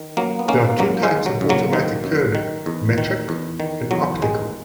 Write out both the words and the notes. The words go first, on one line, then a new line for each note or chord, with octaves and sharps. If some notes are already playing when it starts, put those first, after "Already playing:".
There are two types of automatic kerning: "metric" and "optical".
Already playing: D#3
F#2 F#3 A#3
B3
D#3 A#3 C#4
F#2 F#3 A#3
G#3
D#3
F#3
F#2
F#3 A#3
D#3
F#2
D#3
E2
D#3
E2
D#3
E2 F#3
D#3 G#3